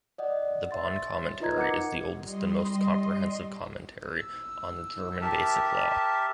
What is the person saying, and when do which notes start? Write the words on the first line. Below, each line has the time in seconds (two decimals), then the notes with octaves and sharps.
The Bonn Commentary is the oldest and most comprehensive commentary on the German Basic Law.
0.18 D5 D#5 F#5
0.71 C#5 E5 C6 A6
1.40 D#4 F4 B4 D#5 A#5 G#6
1.57 A#4 F#5 D6 C#7
2.15 G3 D#5 C6
4.19 E6
5.22 G4 A#4 E5 A5